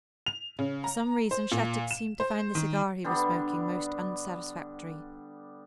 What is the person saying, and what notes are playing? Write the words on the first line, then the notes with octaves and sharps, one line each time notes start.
For some reason Shattuck seemed to find the cigar he was smoking most unsatisfactory.
F7
C#3
A#5
C5
A#2
E7
C5
D#3
D3 G3 B3 D4